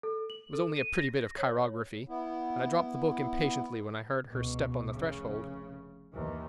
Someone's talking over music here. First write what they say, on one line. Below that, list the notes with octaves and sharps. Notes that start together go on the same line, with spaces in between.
It was only a pretty bit of chirography, and I dropped the book impatiently when I heard her step on the threshold.
A4
F#7
A4
D#7
A#6
C#5
B3 E4
C#2 B2
F1 C#3
D#2 E3